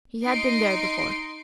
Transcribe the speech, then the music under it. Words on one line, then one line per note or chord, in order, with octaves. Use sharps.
He had been there before.
D#4 C6 C7 D7